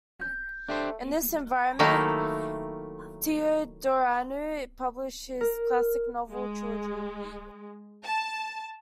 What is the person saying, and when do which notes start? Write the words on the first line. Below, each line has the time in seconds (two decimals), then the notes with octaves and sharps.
In this environment, Teodoreanu published his classic novel trilogy.
0.21 G6
0.68 A3 D4 G4 C5
1.79 D#3 F#3 A3 A#3 D#4 E4
5.41 A#4
6.32 G#3
8.05 A5